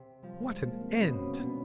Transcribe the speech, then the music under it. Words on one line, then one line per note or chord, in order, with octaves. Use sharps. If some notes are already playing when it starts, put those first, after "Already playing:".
What an end!
Already playing: C3
F3 G3
G#3
F3 A#3
C4
B2 C#4
B2 D4